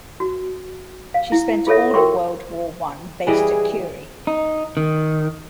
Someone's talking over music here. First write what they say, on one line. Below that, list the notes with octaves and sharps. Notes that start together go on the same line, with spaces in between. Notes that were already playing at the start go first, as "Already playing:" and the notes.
She spent all of World War One based at Kure.
F#4
F5
E4
F4 G#4 A4 C#5 E5
F#4 A#4 G5 C6 C#6
E3 G3 G#4 D#5
D#4
D#3